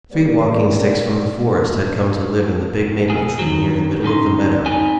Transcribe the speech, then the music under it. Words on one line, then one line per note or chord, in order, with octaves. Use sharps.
Three Walking-Sticks from the forest had come to live in the big maple tree near the middle of the meadow.
C#3 G3 A#3 B4 D5
F2 B2 G#4
D#3 F#3
D2 C#4 D#4 C6
B3 C4 D#4 G#5